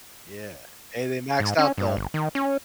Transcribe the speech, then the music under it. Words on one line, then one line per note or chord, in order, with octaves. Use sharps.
Yeah, and they maxed out, though.
G#2
C#4
G2
G1
D#3
C#4